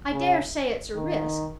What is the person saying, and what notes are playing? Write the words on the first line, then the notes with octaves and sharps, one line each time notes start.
I dare say it's a risk.
C#3
D#3